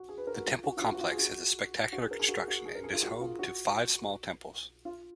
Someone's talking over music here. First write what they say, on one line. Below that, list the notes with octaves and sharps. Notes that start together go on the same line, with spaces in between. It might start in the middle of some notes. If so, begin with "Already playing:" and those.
The temple complex has a spectacular construction and is home to five small temples.
Already playing: F#4
G#4
B4
A#4
F#4
F4
F#4
F4
F#4
F#4
F4
G#4
F#4
F#4
G#4
A#4
G#4
F#4
F#4
G#4
A#4
G#4
F4
F#4
F4
F#4
F4